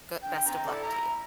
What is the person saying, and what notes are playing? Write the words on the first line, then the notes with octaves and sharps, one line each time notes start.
Goo Best of luck to you.
D3 G5
C4 G5 A#5
E4 A4 D5
E4 A#5